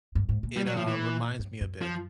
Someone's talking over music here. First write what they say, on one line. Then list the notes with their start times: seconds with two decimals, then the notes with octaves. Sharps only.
It, uh, reminds me a bit
0.15 G2
0.29 G#2
0.43 A#2
0.57 G3
0.67 F#3
0.77 F3
0.88 E3
1.39 G2
1.61 F#2
1.81 F3